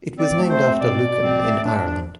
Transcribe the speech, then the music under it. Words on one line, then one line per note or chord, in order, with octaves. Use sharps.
It was named after Lucan, in Ireland.
C4 D5
A3
C5
C4
B2 D5
B2
C4
A3
D4
F3